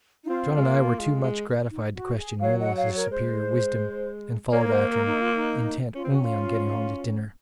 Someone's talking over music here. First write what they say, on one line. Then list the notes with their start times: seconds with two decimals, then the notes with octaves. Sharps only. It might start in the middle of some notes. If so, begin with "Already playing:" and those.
John and I were too much gratified to question Willis's superior wisdom and followed after him, intent only on getting home to dinner.
0.24 D#4
0.29 C4 F4
0.57 G#3
0.65 A#3
1.00 G#3
1.24 G#3
1.70 D#4
1.95 F#4
2.17 G#4
2.41 F#3 C#5 F5
2.59 D#5 F#5
2.76 C#5 F5
2.95 A#4 C#5
3.11 G#3 C5
4.52 A#3 A#4 C#5
4.64 A#4
4.71 C5
4.88 A#4
5.06 D#4
5.20 F4
5.34 D#4
5.95 C#4 F4
6.04 C4 F#4
6.14 C#4
6.21 F4